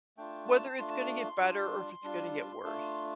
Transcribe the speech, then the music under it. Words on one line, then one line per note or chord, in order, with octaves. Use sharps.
whether it's gonna get better or if it's gonna get worse.
A3 D4 F4 G5
A5
A3 D4 F4 C6
A5
C6
G3 D4 F4
G3 D4 F4
A3 D4 F4